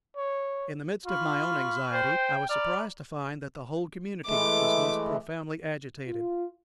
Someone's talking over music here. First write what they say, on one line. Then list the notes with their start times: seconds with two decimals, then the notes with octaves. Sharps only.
In the midst of my own anxiety I was surprised to find that the whole community was most profoundly agitated.
0.17 C#5
1.06 F4 B5 C#6 F6
1.93 C5 G5
2.49 D5 A#5 B5 F6
4.27 E3 G#3 A3 D6
6.08 F4